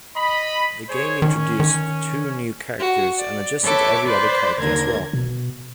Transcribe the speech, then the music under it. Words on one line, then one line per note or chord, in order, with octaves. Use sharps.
The game introduced two new characters and adjusted every other character as well.
D#5 B5
G#4 C5 C#5
D#3 C#4
D#3
F#4
D5
A4 B4 C#5 E5 D6
B4 C5 D5
D#2 D3 A#4 G#6
B2